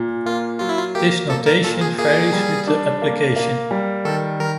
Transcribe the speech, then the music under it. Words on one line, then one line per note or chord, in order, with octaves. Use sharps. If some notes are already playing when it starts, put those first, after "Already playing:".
This notion varies with the application.
Already playing: A#2
A#3 F4
F#3 F4
E4
F4
A#3 G4
A#3 A4
A#4
A#2 A4
G#4
A#3 G#4
G3
D4
A#3
A#3
G3
D#3 A4
D#3 A#4